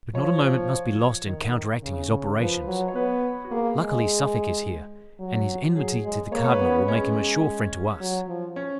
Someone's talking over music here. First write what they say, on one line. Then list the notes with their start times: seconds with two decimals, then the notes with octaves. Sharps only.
But not a moment must be lost in counteracting his operations. Luckily, Suffolk is here, and his enmity to the cardinal will make him a sure friend to us.
0.14 F3 C#5
1.26 D#3
1.83 C#3
2.11 C#3
2.39 F3 B4
2.68 F#3
2.88 C#5
2.95 B3 B4
3.44 F#4
3.51 A#3 G#4
3.79 G#3
5.20 F#3
5.75 F#3 G#4
6.04 G#3
6.32 A#3 C#5
6.44 C#5
6.51 B4
6.60 B3
6.69 C#4
6.88 G#3 C#4
8.01 F#3
8.28 F3
8.56 C#4